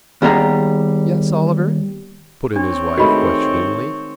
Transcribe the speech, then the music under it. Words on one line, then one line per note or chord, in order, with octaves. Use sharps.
"Yes, Oliver?" put in his wife, questioningly.
D#2 G3 B3 G#4 A#5
C4 D4 C#5
D#3 G#3 A3 F#4 B5